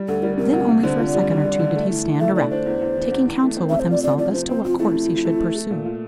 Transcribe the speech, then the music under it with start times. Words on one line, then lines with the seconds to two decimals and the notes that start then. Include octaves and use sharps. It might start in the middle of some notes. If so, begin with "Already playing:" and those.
Then only for a second or two did he stand erect--taking council with himself as to what course he should pursue.
Already playing: G3
0.08 D2 A4
0.22 G3 A#4
0.38 C3 A#4
0.53 D2
0.68 C3
0.83 D3 C5
0.98 F4
1.07 D5
1.15 G3
1.29 G3
1.45 D3
1.59 D3
1.76 A3
1.90 E3
2.05 E3
2.20 A3 E5
2.36 D4 D5
2.50 D4 C5
2.66 E2
2.82 E2
2.97 E3
3.11 E2
3.28 E2
3.42 A3
3.57 C4
3.69 C3 E5
3.80 C5
3.88 F4 D5
4.04 C3 D5
4.18 F3 D5
4.33 C3 C5
4.49 C4 C5
4.64 F3 F4
4.79 A3 E4
4.94 C3
5.09 F3
5.25 A3
5.40 A3
5.55 A3
5.70 A#2
5.85 F4